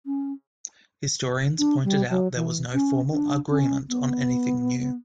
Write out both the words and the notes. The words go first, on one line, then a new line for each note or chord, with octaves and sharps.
Historians pointed out there was no formal agreement on anything new.
C#4
D4
G3
F#3
E3
C#4
D4
C#4
B3